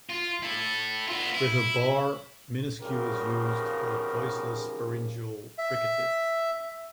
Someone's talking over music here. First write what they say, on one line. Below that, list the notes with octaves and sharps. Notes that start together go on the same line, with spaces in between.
With a bar, minuscule is used for a voiceless pharyngeal fricative.
F4
E4 A4
B3 F4
E4
G#1 E2 C#3 F3 G4 A#4
E5